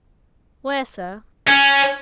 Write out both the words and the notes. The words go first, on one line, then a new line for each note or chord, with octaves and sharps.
"Where, sir?"
C#4